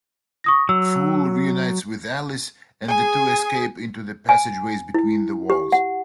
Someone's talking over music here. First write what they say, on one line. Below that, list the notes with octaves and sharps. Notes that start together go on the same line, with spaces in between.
Fool reunites with Alice and the two escape into the passageways between the walls.
C#6 D#6 A#6
F#3 E6
G#4 G#5
G#5
E4
G4
F#5